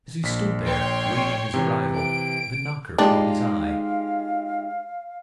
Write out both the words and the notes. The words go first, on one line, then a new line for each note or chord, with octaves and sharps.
As he stood there, waiting his arrival, the knocker caught his eye.
A#1 B6
C#5 G5 C6
C3 E3
D7
G#3 D4 D#4 F4 G4 F5